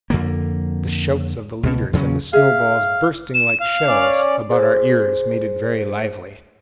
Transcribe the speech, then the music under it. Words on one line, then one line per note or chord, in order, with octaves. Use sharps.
The shouts of the leaders, and the snowballs bursting like shells about our ears, made it very lively.
F2 D3 A#3
C#2 B2
E2 C#3 F#3 C#4
G#4 E5 F5
E7
F5
C#4 D5
G#4 C5